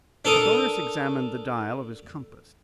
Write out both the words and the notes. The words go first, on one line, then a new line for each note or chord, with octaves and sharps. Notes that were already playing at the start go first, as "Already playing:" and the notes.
Carthoris examined the dial of his compass.
D4 A4 A#4 D#6